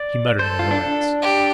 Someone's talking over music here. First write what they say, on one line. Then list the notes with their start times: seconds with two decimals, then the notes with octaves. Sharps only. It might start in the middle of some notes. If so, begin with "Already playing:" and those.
He muttered in annoyance.
Already playing: D5
0.39 A4 C5
0.59 F4
0.71 D4
0.81 D4
1.22 G4